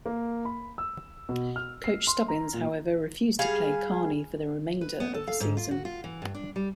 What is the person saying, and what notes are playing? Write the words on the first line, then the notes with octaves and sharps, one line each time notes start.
Coach Stubbins however refused to play Carney for the remainder of the season.
A#3
B5
E6
B2
F6
C7
C6
A#5
A#2
G3 G#4 F5
B4
B3
A4
F5
G#2
F4
F#4
F4
E3
G2
D4
G3